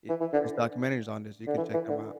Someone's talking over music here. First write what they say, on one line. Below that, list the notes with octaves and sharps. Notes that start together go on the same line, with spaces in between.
I there's documentaries on this. You can check them out.
E3
E3
D3
D3
E3
E3
D3